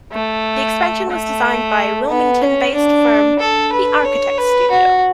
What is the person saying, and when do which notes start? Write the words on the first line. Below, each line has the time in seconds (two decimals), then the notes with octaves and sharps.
This expansion was designed by the Wilmington-based firm The Architects Studio.
0.12 A3
1.10 A3
2.09 B3
2.42 C#4
2.74 D4
3.39 A4
3.73 B4
4.05 C#5
4.38 B4
4.71 F#4